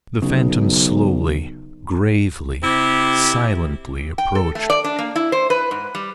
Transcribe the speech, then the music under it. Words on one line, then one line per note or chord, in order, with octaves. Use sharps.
THE Phantom slowly, gravely, silently, approached.
B1 C#3
C3 E4 G4
G5
A4
A3
D5
D4
A#3
E4
C5
B4
G#2
G3